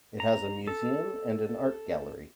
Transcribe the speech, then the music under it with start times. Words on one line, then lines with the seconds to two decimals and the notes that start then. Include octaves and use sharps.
It has a museum and an art gallery.
0.20 A#5
0.67 A4